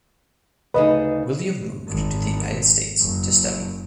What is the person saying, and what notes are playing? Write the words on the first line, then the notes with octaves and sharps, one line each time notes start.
William moved to the United States to study.
D2 C#3 D#4 B4 D#5
G#1
F#1